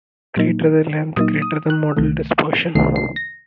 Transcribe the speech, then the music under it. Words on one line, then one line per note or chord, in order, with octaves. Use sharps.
The greater the length, the greater the modal dispersion.
A#2 F#3 A#3 D#4
A#2 F#3 A#3 D#4 D#6
D#6
F#6
C2 C3 D#3 A3
C2 C3 D#3 A3 C7
C7
A#6